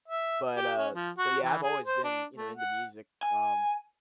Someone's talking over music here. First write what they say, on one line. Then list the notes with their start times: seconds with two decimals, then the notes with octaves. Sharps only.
but, uh, so yeah, I've always been, you know, into music, um,
0.08 E5
0.57 G4
0.78 C#4
0.94 F3
1.18 F#4
1.44 E3
1.62 G#4
1.86 C5
2.04 D4
2.37 A3
2.57 F#5
3.23 G#5